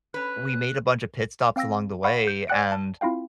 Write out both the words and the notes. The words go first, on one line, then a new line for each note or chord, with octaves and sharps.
we made a bunch of pit stops along the way and,
C#4 B4 F#6
C4 F5 G5 E6 A#6
F5 F#5 B5 C#6
G6
D5 F#5 G5 F#6 C#7 D7
A5
C4 E4 F4 F5 G5